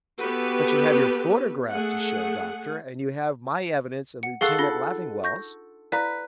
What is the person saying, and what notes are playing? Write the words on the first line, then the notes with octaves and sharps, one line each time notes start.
"But you have your photograph to show, Doctor, and you have my evidence and Lieutenant Leffingwell's."
B3 F#4 G4 A4 B4
A3 G#4 F#5
F#5 C#7
G#4 A4 F5 F#5 C6 C#6
D4 D#4 F4 A#6 G7
C#6 G6 A#6
E4 B4 D5 F5 A#5